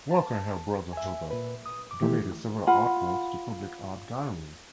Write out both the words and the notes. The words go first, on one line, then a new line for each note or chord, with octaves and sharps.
Walker and her brother Hubert donated several artworks to public art galleries.
A5
E5 G#5
A#2 B4
D#6
D6
D#3 E3 A3 E4 G4
F4 F#5 B5